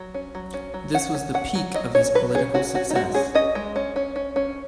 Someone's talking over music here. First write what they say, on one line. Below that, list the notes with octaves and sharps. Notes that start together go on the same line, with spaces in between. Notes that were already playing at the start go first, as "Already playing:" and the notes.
This was the peak of his political success.
Already playing: F#3
C#4
F#3
C#4
F#3
C#4 F#5
C#4
C#4 F#5
F#3
F#3 D#5
C#4 C#5
F#3 B4
C#4 G#4
C#4 F#4
C#4 F#4
D#4
G#3 F#4
C#4 G#4
C#4 D#5
G#3
C#4
C#4
C#4
C#4